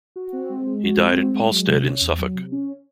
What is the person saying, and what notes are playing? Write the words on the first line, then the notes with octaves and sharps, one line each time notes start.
He died at Polstead in Suffolk.
F#4
C4
G#3
G#3
F#4
C4
G#3
G#3
F#3
C3
C#4
E2
F#3
C3
C#4